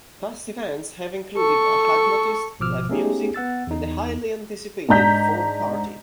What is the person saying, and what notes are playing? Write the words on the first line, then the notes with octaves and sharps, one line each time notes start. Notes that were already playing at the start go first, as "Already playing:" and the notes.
Past events have included a hypnotist, live music, and the highly anticipated foam party.
A4 C#6
G#1 B2 F3 D6 E6 F6
A3 B3 C#4 D#4 G4 G#4
B3 F#5 E6 A6
E2 D#4
G#2 D4 A#5 G6 B6